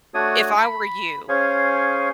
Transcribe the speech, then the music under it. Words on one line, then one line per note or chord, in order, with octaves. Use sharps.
if I were you,
A3 D4 F#4 C#5 D#6
B5
C#4 G#4 C5 C#5 F5 G#5